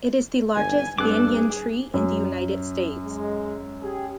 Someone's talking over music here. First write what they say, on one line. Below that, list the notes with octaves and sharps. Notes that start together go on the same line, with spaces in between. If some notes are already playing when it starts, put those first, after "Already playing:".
It is the largest Banyan Tree in the United States.
G1 G#5
G2 C4 A4 D6 F#6
G#4
F#2
G#3
G4 G#4